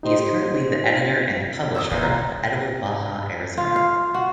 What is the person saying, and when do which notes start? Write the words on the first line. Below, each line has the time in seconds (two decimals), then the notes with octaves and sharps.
He is currently the editor and publisher of "Edible Baja Arizona".
0.03 D#4 G4 C5 D#5 C6
1.75 E5 C#6 D#6
1.90 A2 A#3 D#4 F4 G#5
2.03 C2 A#5
3.58 F4
3.76 F5
4.14 F#4